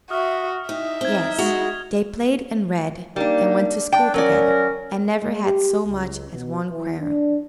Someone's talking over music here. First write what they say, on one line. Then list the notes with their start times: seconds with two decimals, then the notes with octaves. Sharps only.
Yes, they played and read and went to school together, and never had so much as one quarrel.
0.10 F#4 E5 D#6 F6
0.69 D#4 E5 G5
1.01 C4 D#4 G#6 G7
1.38 G#3 F#4 F7
3.16 G3 A#3 D4 D#4
3.92 D4 G5
4.14 F#3 C#4 A#4 D5
5.12 G#3
5.44 G4
5.88 C#2
6.32 B2
6.69 E3
7.00 D4